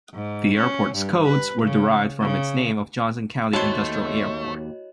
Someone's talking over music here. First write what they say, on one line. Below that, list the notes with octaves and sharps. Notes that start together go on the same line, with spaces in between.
The airport's codes were derived from its name of Johnson County Industrial Airport.
G#2
C#4
G2
B4
C#3
C#3
D#2 A3 F#4 C5 C#5 D#5 A5